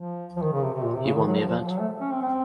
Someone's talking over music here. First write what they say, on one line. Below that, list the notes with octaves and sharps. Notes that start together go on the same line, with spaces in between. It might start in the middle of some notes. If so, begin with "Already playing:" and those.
He won the event.
Already playing: F3
F3
D#3
C#3
C3
C3
A#2
C3
C#3
D#3
F#3
F3
F3
F3
F#3
A3
C#4
C4
C4